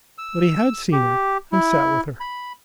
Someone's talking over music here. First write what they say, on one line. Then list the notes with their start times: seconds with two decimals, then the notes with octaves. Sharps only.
But he had seen her, and sat with her.
0.18 E6
0.92 G4
1.52 E4
2.20 B5